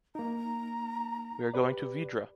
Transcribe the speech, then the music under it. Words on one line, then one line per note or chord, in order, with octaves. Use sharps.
We are going to Vidrà.
A#3 D#4 A#5
G4 B4 D5